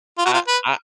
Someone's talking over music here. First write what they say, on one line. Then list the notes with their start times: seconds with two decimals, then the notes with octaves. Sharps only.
I I
0.18 F4
0.25 F#4
0.34 F4
0.48 B4